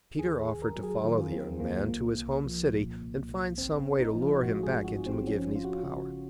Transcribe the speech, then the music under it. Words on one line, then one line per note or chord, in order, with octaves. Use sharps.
Peter offered to follow the young man to his home city, and find some way to lure him back into McGivney's power.
D#2 G#4
G#4
D#2
A#4
F#3
G#4
D#3 F4
D#2 C4
D#2 A#3
C2 A#3
C2
F3
A#2
C2
C2
G#1 C4
C4
G#1
D#4
F3
F4
G#2 F#4
G#4
G#1
F#4
G#1
C4
F3 C#4
G#1 F4
F#4
F4
C#3 F#4